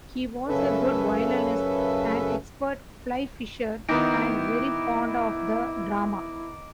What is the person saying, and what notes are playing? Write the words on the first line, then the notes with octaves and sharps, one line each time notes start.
He was a good violinist, an expert fly-fisher, and very fond of the drama.
F#2 C#3 C#4 A4 B4 E5
D#3 B3 D#4 E4 D6 A#6 D7